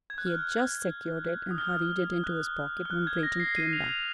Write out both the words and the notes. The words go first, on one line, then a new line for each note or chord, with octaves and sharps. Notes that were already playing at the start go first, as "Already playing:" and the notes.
He had just secured it and hurried it into his pocket when Breton came back.
G#6
F#6
F6
F#6
D#6
F6
F#6
F6
F#6
G#6
A#6
C7
D#7
F7
F7